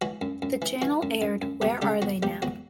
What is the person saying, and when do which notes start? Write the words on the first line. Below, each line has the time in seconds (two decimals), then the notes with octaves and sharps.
The channel aired Where Are They Now?
0.02 E3 F#3 F#4
0.21 F#2
0.42 F#2
0.62 E3
0.82 E3 F#3 F#4
1.03 F#2
1.22 F#2
1.42 F#2
1.62 E2 G3 G4
1.82 C#3 G3 G4
2.02 E2 F#3 F#4
2.23 E2 G3 G4
2.42 E2 F#3 F#4